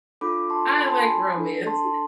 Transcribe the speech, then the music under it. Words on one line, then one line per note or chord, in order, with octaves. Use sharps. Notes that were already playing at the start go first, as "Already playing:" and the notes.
I like romance.
D4 F4 A4 B5 D6
A5 C6
G#5 B5
A5 C6
G#5 B5
D4 A4
A5 C6